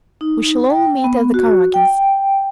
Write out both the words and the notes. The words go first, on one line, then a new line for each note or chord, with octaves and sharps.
We shall all meet at the Karagins'!
D#4
G5
B3
F#4
G5